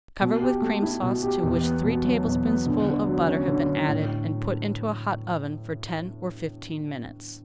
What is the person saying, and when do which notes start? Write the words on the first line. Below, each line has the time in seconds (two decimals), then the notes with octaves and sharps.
Cover with Cream Sauce to which three tablespoonfuls of butter have been added, and put into a hot oven for ten or fifteen minutes.
0.21 B2
0.41 G4
0.62 A3
0.82 E4
1.03 B2
1.23 G4
1.43 E2
1.64 B3
1.84 B2
2.04 F#3
2.25 E2
2.45 B3
2.66 D3
2.86 D3
3.06 F#3
3.27 C#4
3.47 D3
3.68 D3
3.88 A2